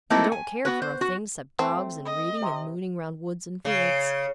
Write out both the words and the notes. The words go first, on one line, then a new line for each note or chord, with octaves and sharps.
He don't care for a thing 'cept dogs and reading and mooning round woods and fields.
A3 A#3 C4 D#4 E4 A4
G#5
B3 F#4 B4
C5
F#4
A3 C4
D#5
C3
C#3